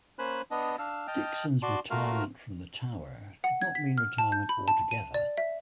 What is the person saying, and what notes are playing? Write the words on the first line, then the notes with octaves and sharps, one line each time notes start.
Dixon's retirement from the Tower did not mean retirement altogether.
A#3 C#4 C5 G#5 B5 F#6
B3 D4 D#5
D4 F5 E6
D#5 G5 A5 F6
F#4 D5 A5 C6
A3 F4 F#4 A#4 F5
F#5
G#6
B6
F6
A5
G6
B5
A5
D#7
D5
E5